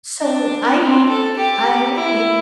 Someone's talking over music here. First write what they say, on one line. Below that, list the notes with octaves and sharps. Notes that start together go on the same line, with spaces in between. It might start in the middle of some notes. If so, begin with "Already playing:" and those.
So, I eat I eat
D4
C4
A4
G4
E4